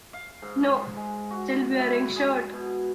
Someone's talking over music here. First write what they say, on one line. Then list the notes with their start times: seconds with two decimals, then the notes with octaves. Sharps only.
No, still wearing shirt.
0.13 F5
0.42 G#2
0.96 G#3
1.31 F#4
1.79 E4
2.16 G#4
2.53 B2